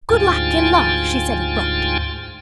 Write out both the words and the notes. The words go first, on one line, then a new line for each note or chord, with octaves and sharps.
Good luck in love she said it brought.
D2 G#2 F4 G5 G#5 A6